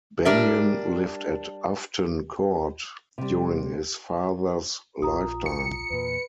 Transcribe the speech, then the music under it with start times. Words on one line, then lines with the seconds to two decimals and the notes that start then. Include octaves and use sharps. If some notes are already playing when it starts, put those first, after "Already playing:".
Benyon lived at Ufton Court during his father's lifetime.
0.25 G3 D4 A#4 E5
3.18 C3 G3
5.02 A#1 F4 A#5 D#6
5.46 C#7
5.90 E2 A#2 B4